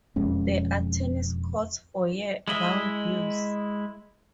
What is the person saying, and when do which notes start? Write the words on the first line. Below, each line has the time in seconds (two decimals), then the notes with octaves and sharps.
There are tennis courts for year-round use.
0.16 E1 F2 G#3 C#4
2.48 G#3 E4 D#5 E5